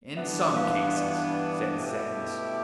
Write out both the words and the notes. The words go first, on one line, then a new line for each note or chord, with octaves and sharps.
"In some cases," said Sadness.
G2 E3 B3 D4 E5
F5
D5
B2 A3 E4 G4